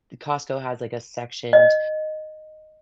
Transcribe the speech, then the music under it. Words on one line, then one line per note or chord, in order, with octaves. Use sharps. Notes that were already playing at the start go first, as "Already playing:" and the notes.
The Costco has, like, a sectioned
D#5